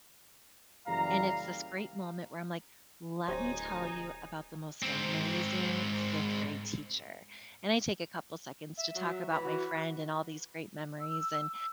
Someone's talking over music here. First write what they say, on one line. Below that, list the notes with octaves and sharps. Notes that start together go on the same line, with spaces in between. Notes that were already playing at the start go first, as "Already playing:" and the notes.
And it's this great moment where I'm like, "Let me tell you about the most amazing fifth-grade teacher," and I take a couple seconds to talk about my friend and all these great memories and
F#1 E3 G3 E4 F5 A#5
D1 D#4 G4 C5 C#5 G#5
G#2 C4
E5
F#3
E3 B5
F#4
E6